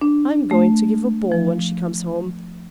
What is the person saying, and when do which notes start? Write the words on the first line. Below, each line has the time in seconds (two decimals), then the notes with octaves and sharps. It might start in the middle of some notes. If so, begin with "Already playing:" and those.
I am going to give a ball when she comes home.
0.01 D4
0.51 A3
1.32 F3